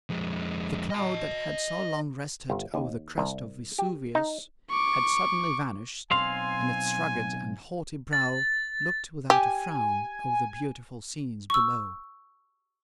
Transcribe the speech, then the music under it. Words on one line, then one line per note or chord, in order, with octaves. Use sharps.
The cloud that had so long rested over the crest of Vesuvius had suddenly vanished, and its rugged and haughty brow looked without a frown over the beautiful scenes below.
F2 G#3
D#5 A5
G1
D#2
C2
G4
D#4
C#6 D6
B1 C4 F5 G#5 C6
A6
G4 G#5
C#6 E6